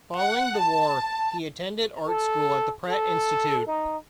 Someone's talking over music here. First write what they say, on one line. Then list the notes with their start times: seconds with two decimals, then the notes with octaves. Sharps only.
Following the war he attended art school at the Pratt Institute.
0.18 F#5
0.59 A5
2.08 A4
2.89 A4
3.67 D#4